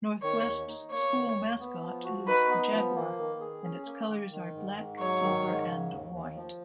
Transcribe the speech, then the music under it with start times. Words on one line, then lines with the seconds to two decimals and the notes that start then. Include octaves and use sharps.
Northwest's school mascot is the jaguar and its colors are black, silver and white.
0.22 D#3 C#5
0.45 D#2
0.68 D#4
0.90 A#3 C#5
1.14 D#3
1.37 D#2
1.59 B3
1.82 F3
2.04 F#4
2.27 D#4 B4
2.49 B3
2.73 F3
2.95 A#3
3.18 D#3
3.40 G#4
3.63 C#4
3.86 A#3
4.09 D#3
4.31 D#3
4.54 G#2
4.77 G#2
4.99 F#3 C#5
5.22 D#3
5.45 G#2
5.68 C#3
5.90 D#2
6.13 D#2
6.36 F3